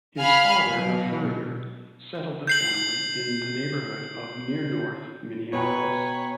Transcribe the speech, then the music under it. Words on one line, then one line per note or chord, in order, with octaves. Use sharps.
His father, a furrier, settled the family in the neighborhood of Near North, Minneapolis.
F5 G#5 B5 F6
B2 F#3
G6 C7 F#7
B2 B4 C#5 G5 G#5 A#5